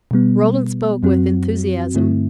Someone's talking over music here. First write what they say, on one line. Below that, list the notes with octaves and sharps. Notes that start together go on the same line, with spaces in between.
Rollin spoke with enthusiasm.
B2 G3 B3
F#2 F#3 C4 F#4
G2 D3 A3 C4 E4